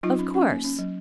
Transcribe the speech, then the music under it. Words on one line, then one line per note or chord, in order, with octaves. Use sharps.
'Of course.
F#3 D#4 F4
C#4
C#4
A#3
C#4
F#3